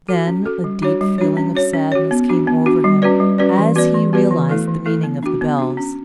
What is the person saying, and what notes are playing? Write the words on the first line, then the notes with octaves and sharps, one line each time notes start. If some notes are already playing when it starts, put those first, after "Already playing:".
Then a deep feeling of sadness came over him as he realized the meaning of the bells.
F#4 A4
C#4
F#4 A4
G3
D4 F#4 C#5
G3
D4 F#4 C#5
C#4
F#4 C#5
C#4
F#4 C#5
B3
D4 F#4
B3
D4 F#4
G3
C#4 F#4 B4 D5
G3
C#4 F#4 B4 D5
E3
B3 F#4 B4 D5
E3
B3 F#4 B4 D5
E3
A3 E4 A4
E3
A3 E4 A4
B3
D4 F#4
B3
D4 F#4
C#4